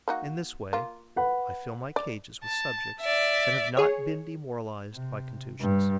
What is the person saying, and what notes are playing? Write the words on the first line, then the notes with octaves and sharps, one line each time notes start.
In this way, I fill my cages with subjects that have not been demoralized by contusions.
A#3 D#4 F#4
A#3 F4
B4 F#5 B5
D5
A5
D5 E5
G#4 C#5
C3
G2